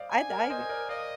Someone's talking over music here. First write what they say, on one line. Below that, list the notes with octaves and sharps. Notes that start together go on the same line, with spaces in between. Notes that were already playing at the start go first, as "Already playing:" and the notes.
I I
Already playing: C5 D5 D#5 F5
G#5
A#4 D5
C5 D#5 G#5
A#4 D5
D5 D#5 F5